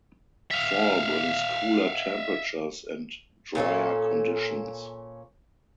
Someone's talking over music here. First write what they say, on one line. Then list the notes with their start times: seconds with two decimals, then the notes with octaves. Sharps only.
Fall brings cooler temperatures and dryer conditions.
0.51 E5 F5
3.55 A#2 C#4 G4 A4